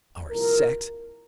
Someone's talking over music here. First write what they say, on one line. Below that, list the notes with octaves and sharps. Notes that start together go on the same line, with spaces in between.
Our sex!
C2 A#2 F3 A#4